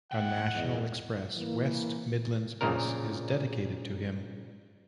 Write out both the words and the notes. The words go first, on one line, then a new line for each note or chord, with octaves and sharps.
A National Express West Midlands bus is dedicated to him.
A#2 F#5 G5
E2 G#2 D#5
E3 A#3
A#1 A#2 C#3 A#4